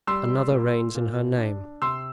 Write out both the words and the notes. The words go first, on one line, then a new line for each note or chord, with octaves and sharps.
Another reigns in her name.
G3 C6 E6
A#2
A#2
D4
C3 C6 E6